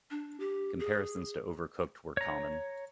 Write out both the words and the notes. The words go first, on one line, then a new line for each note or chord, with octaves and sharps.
Comparisons to "Overcooked" were common.
D4
G4
G#4
C#5 A#5